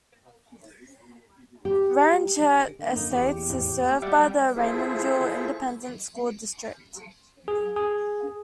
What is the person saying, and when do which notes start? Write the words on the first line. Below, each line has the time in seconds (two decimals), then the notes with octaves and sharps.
Ranchette Estates is served by the Raymondville Independent School District.
1.65 G4
2.79 D3 A#3
2.96 F#2 D#4
3.11 E2 G4
3.50 F2 A2
4.02 G3 D5 E5 F#5 D6 G6
4.56 E4 F4 G#4 A4 C5 E5
7.48 G#4
7.76 G#4